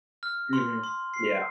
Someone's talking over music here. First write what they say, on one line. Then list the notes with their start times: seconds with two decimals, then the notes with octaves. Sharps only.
Mhm, yeah.
0.23 F6
0.53 C6
0.84 C6
1.14 C7